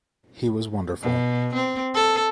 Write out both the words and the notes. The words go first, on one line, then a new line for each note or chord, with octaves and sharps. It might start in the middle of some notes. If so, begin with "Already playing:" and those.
He was wonderful.
B2
C4
A4